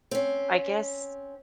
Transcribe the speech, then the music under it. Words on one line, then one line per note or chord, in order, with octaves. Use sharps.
I guess
C4 C#4